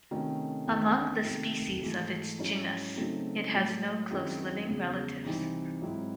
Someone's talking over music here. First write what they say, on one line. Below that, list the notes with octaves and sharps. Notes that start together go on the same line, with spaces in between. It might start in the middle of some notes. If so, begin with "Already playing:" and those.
Among the species of its genus, it has no close living relatives.
C3 D#3 A3 C#4
E2 D#3 A3 C4
C3 D#3 A3
G#2 E3 A3
G#2 F#3 C#4 E4
C#3 F#3 A3 C4 D#4
A2 F#3 A3
F#2 D#3 G#3 C4 E4
E2 C#3 G#3
C2 C3 E3 C4 D#4
G#2 F#3 C4 E4